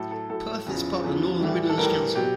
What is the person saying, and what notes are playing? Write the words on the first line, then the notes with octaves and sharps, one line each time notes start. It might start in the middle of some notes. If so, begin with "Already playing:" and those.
Perth is part of the Northern Midlands Council.
Already playing: A2 F#3 A4
A4
A2 F#3 A4
E2 C#3 F3
E2 C#3 F3
A2 E3 G3
A4
A2 E3 G3 A#4
B2 F#3 G4